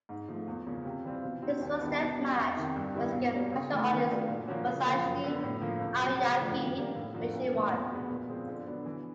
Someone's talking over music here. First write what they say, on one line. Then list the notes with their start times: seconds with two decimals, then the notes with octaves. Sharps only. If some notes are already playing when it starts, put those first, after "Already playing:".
His first "death match" was against martial artist Masashi Aoyagi, which he won.
0.09 G#2
0.28 F3 A3
0.47 E2
0.67 C#3 F3 A#3 C#4
0.85 C3
1.04 E3 G3 C4 F4
1.24 B2
1.42 G3 C4 D#4 F#4
1.61 D#2
1.81 D#3 G3 B3 E4
2.00 B2
2.18 G3 B3
2.38 F2
2.57 C3 D#3
2.76 G2
2.95 D#3 G3 B3 E4
3.14 B2
3.33 G3 A#3 C#4
3.53 C#3
3.71 E3 A3
3.90 D#3
4.09 F#3 A3 D4 F4
4.28 A#2
4.47 F3 A#3 C#4 F#4
4.67 C#3
4.85 F3 A#3
5.04 F#2
5.24 D3 F#3 B3
5.43 A2
5.61 F3 A#3
5.81 C#2
5.99 B2 F#3
6.19 C#3
6.38 F3 A3 D4 F#4
6.57 D#3
6.76 G3 A#3 D4
6.95 A2
7.14 F3 A#3 D4 F#4
7.33 C2
7.52 A#2 F3 A3 D4
7.71 E2
7.90 B2 G#3 B3
8.10 A#2
8.28 F3 G#3 C4
8.48 D3
8.66 F#3 B3 D4
8.86 E3